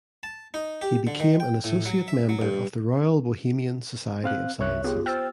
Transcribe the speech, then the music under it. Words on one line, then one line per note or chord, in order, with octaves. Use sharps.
He became an associate member of the Royal Bohemian Society of Sciences.
A5
D#4
G4
D3
D#3
G5
A2
F#3
E5
F#3
G2
C4 F5 F#6
C2 C#5 E5 F#6
B3 F4 G4 G#4
C5 G5 E6 F6 A6